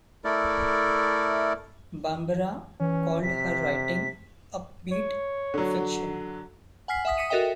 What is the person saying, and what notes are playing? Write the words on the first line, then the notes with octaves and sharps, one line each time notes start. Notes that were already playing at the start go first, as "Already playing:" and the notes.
Bambara called her writing "upbeat" fiction.
A3 E4 A4 A#4 D5
E3 C#4
C3 B6
C#5
D3 F#3
F#5 G#5 F6 B6 C7
E5 F#5 D#6 B6
D#6 B6 C#7 D#7 E7
F#4 A4 A#4 D#5 E5 G5